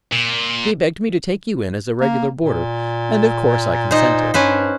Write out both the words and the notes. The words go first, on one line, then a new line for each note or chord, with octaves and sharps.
He begged me to take you in as a regular boarder and of course I consented.
A#2
A#3
A#2
D#4 C5
G2 C#4 B4 C5